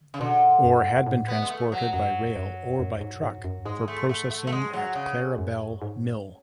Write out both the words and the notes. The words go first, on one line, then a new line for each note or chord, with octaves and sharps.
Ore had been transported by rail or by truck for processing at Clarabelle Mill.
C#3
B2 D3
F#2
A2
B3
G#3
A3
F#3
F#2 F#3
F#2
F#2
G#2
G#2
F#2
G#2 G#3
A3
A3
A3
A3
G#3
F#3
C#3
F#2
G#2